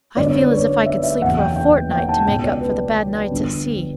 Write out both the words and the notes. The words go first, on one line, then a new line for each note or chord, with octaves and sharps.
"I feel as if I could sleep for a fortnight to make up for the bad nights at sea."
G1 F#2 D3 D5
C#5
B4
C#5
C#5
E5
E5
F#1 E2 B2 F#5
G5
G5
G5
A5
C#2 B2 G5
D5
B4
G1 G2 D3